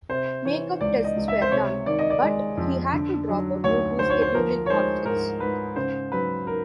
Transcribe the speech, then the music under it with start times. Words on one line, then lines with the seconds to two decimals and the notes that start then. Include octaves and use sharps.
Make-up tests were done, but he had to drop out due to scheduling conflicts.
0.09 C3 C5
0.45 E3 C#5
0.81 C#2 D5
1.04 D#5
1.16 C#2
1.28 E5
1.42 C5
1.52 C3 C#5
1.86 D#3 D5
1.99 D#5
2.10 D5
2.22 G#3
2.57 F2
2.93 D3
3.29 F#3
3.64 D2 C#5
3.99 D2 C5
4.10 C#5
4.22 C5
4.34 F3 A#4
4.66 C#5
4.70 G#3 C5
5.05 G#2 A#4
5.40 G#2 B4
5.76 C#3 C5
6.12 F#3 B4
6.47 A#4